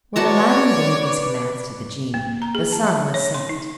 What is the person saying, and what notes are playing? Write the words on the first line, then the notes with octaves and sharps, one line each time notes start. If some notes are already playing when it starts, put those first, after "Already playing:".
When Aladdin gave these commands to the genie, the sun was set.
F#4 B4 C#5 D5 A5 A#5
A#3
A#5
G#4
A5
E5
C#5
C6
D#4